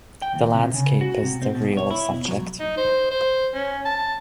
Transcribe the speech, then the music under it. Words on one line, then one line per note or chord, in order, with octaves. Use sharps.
The landscape is the real subject.
G5
D#2
C3
C#3
F#4
C3
C4
B2
C#5
E4
B2
F#3
D#4
C5
C5
C#4
A5